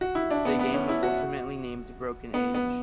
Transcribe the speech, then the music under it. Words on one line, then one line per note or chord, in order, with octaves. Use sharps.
The game was ultimately named "Broken Age".
F#4
E4
D4
B3
B3
C#4
E4
F#4
B3
B3